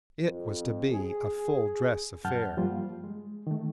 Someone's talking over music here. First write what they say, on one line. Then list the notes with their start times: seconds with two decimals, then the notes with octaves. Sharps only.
It was to be a full-dress affair.
0.23 F2
0.92 G#4
2.25 F#2 F#5 A5 F6 G6
2.57 G2 F3 G3 A#3 F4
3.04 G#3
3.47 D#3 A3